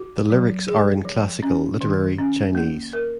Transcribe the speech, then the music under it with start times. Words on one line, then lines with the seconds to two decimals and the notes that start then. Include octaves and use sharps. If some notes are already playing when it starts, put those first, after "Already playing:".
The lyrics are in classical literary Chinese.
Already playing: F#4
0.30 F#3
0.68 G#4
1.05 F3
1.43 C#4
1.81 D#3
2.18 C#4
2.55 A#3
2.93 A#4